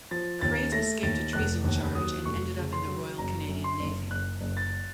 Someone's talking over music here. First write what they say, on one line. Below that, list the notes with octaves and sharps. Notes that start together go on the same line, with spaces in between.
Crate escaped a treason charge and ended up in the Royal Canadian Navy.
F3 A6
D#2 A6
A3 A#6
D#2 A6
F1 F#6
D#2
F#3 D#6
F1 C#6
C#3
C6
F#3
F#1 A#5
F#2
C6
F#1
F#1 F#6
F#1
A6